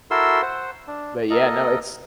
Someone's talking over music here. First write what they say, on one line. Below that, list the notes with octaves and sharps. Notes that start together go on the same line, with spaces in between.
But yeah, no, it's
E4 F#4 A4 A#4 C6 E6
C5 F#5
D4
A#3 A4 D#5